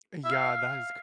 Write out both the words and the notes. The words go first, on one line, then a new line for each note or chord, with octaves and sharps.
Yeah, that is c
E5
F5